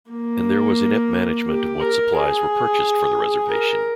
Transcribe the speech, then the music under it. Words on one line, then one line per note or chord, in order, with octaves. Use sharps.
And there was inept management of what supplies were purchased for the reservation.
A#3
G4
A#4
G#4
A#4